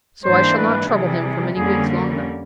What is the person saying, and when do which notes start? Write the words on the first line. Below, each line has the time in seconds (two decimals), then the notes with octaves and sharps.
So I shall not trouble him for many weeks longer.
0.24 G#2 E3 G3 A#3 D4 C5
0.57 B4
0.89 C3 E3 G3 G#4
1.55 F2 D3 G3 A#3 C#4 G#4